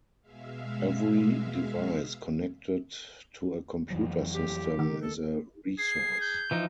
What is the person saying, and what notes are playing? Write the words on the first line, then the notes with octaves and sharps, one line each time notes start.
Every device connected to a computer system is a resource.
B2 G#3 E5 F5
F2 E3 F#3
G4
D#3
A4
G#4 C7
G6
E3 F3 D#4